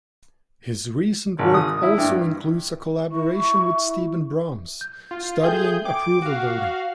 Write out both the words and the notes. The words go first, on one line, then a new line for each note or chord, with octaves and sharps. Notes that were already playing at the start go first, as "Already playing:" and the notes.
His recent work also includes a collaboration with Steven Brams studying approval voting.
G#1
D#6
E4
G2
E4 C#6
G6
F4
G#4 A4 E5 G5 G6
G5 D6
F#4 F5